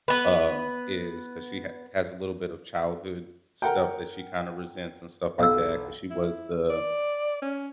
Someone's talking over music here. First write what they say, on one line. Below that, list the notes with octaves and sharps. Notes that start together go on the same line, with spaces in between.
um, is 'cause she ha has a little bit of childhood stuff that she kinda resents and stuff like that 'cause she was the
B3 B4
A#4 F#5 G5
B1 F5 E6
E4
D5
C#4